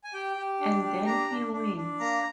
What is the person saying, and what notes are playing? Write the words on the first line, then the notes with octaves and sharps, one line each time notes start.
And then he wins.
G#5
G4 G5
G4
D4
G4
D4 A#5
D4
D4
D4
A#3 A#5